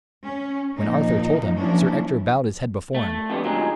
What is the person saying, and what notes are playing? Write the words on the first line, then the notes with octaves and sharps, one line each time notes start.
When Arthur told him, Sir Ector bowed his head before him.
C#4
A#2 F3 A#3 D#4
F3 F#3 A#3 C#4 D4 E4
A3
C6
F2 D3 B3 G4
D2 F#3 G#3 D#4 F4 C6
F#5 G#5 B5